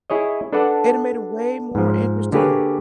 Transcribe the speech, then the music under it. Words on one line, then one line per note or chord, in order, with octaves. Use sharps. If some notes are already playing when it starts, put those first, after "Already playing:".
it'd a made it way more interesting
E4 G#4 C#5 D#5
D4 A4 B4 D5 F#5 A5
G#2 F3
D3 A#3 G4 G#4 B4 C#5